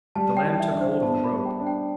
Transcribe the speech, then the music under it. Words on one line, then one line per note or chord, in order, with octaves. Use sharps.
The lamb took hold of the rope.
G3 A5
G5
E3
E5
D4
C5
B3 A5
B5
G3
G5
D4
G5